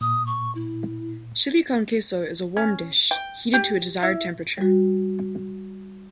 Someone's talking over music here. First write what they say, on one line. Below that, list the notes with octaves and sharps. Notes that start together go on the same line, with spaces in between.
Chile con queso is a warm dish, heated to a desired temperature.
A#2 D#6
C#6
E4
C#4
G5
G4
E4
G3 F#4